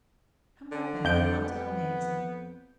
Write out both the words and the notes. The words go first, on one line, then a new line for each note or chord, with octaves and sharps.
"Come right back, or I'll tell mamsie!"
D3
F2 G6 D7
B3